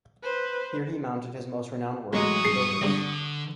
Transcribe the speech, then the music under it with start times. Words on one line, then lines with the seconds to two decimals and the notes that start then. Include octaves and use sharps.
Here he mounted his most renowned work, The Builders.
0.23 B4 C5
2.13 A1 E3 F#3 G#3 C#6 D#6
2.45 G2 G#4 C7
2.82 G2 D3 C4 D#5